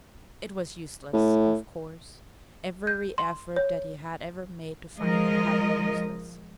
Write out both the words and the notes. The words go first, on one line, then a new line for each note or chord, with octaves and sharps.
It was useless--of course--every effort that he had ever made to find her had been useless.
A2
G6
C6
C#5
F3 G#3 A#4 D#5